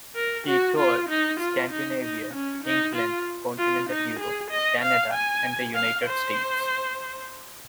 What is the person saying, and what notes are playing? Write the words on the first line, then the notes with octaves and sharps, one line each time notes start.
He toured Scandinavia, England, continental Europe, Canada, and the United States.
A#4
F#4
F4
D#4
F4
D#4
D#4
C#4
D#4
F4
F4
D#4
G#4
D#5
F5
G#5
F5
C5